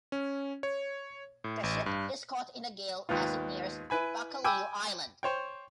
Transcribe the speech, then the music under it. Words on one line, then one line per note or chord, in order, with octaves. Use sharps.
The ship is caught in a gale as it nears Baccalieu Island.
C#4
C#5
A2
A1
G2
D#2 G#2 B3 F4
E4 B4 G#5 B5
G5 G#5 B5 D6 E6
C5 C#5 G5